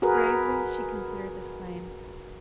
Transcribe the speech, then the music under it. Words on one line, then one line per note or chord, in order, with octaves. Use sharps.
Gravely she considered this claim.
F#4 G#4 A#4 B4